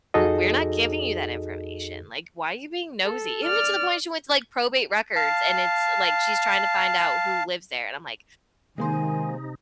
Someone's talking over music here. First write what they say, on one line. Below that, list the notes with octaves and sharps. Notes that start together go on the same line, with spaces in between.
"We're not giving you that information, like, why are you being nosy?" Even to the point she went to, like, probate records and it's like, she's trying to find out who lives there, and I'm, like,
F2 D#4 F#4 G#4 A4 D#5
A4
D5 F6
F5 A5
C3 D#3 G#3 A#3 D#4 C5 G#5